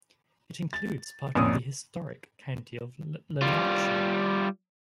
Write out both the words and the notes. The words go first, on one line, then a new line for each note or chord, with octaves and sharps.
It includes part of the historic county of Lanarkshire.
A6
A1 F2 A#2 D#6
G3 F4